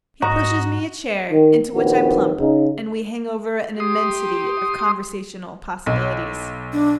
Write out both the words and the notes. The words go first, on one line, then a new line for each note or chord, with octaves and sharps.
He pushes me a chair, into which I plump, and we hang over an immensity of conversational possibilities.
G#2 F#4 D#5 F#5 A#5
D#3
A#1 D#2 B3 C4 F#4
C#3 D#4
G4 C6 D#6
B1
D4